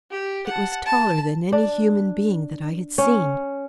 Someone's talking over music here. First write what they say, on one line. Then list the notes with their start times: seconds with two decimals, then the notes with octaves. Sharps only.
It was taller than any human being that I had seen.
0.11 G4
0.47 F#5 A5
0.86 A5
1.52 D4
2.98 C#4